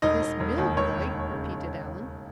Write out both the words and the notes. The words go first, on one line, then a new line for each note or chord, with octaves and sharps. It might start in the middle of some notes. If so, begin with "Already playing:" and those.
"Miss Milroy!" repeated Allan.
E1 D#4 D#5
E1
E1
D#2
E1 C#5
D#2
D#2
C#3